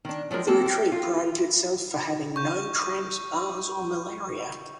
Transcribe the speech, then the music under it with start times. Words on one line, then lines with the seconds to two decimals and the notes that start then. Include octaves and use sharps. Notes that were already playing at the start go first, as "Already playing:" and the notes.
The retreat prided itself for having no tramps, bars, or malaria.
0.05 D#3 D4
0.31 F3 F#3 G#3 A#4
0.47 G#3 A#3 C4 A4
0.66 G4
0.92 F4
2.36 C#6 G6